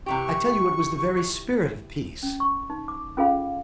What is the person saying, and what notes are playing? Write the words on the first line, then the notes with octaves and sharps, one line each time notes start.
I tell you it was the very spirit of peace.
C3 E3 G4 C#6
C#4
C#6
D#4
D6
C#4 F4 G#4 A4 F5 B5